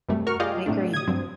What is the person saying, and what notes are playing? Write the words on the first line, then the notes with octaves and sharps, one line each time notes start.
I agree.
F#2 C3 G3 A3
F#4 A#4 C#6 F6
F4 G4 G#4 D5 D#5 F5
A2 C3 A3 D4
D#6 G#6
G2 F#3 C4